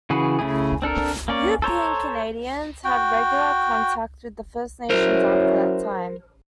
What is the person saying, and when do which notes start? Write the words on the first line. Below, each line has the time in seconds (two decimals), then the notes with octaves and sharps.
European-Canadians had regular contact with the First Nations after that time.
0.10 C#3 E3 F#4 G#4 B4
0.39 C#3 A3 E4 G#4
0.82 C4 D4 A4 A#4
1.28 A#3 C#4 D5
1.62 A4 C5 C#5 A#5
2.84 F#4 G5
4.90 F#3 C#4 E4 A#4 C5